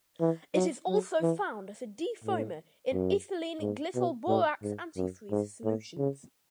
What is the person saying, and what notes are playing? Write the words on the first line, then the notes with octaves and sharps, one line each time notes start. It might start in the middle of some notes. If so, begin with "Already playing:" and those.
It is also found as a defoamer in ethylene glycol-borax antifreeze solutions.
E3
F#3
F#3
E3
A2
F#2
G#2
B2
A2
G#2
F#2
G#2
A2
C#3